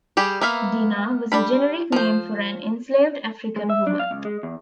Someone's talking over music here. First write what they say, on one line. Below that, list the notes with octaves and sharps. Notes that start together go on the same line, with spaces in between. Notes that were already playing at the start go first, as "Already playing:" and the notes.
"Dinah" was a generic name for an enslaved African woman.
G3 G4 G#4
A#3 B3 E5 F5
G3 D4 F4 B5
F3 C5
G#3
E5
D4
F5
C#2
G#3
E2